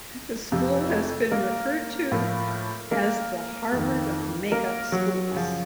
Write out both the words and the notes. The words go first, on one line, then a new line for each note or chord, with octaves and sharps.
The school has been referred to as "the Harvard of make-up schools".
F2 C3 F3
A3 A4
A#3 A#4
A2 F3
A#3 A#4
F2 D#3
A#3 A#4
F#3 F#4
F#2 C#3 F3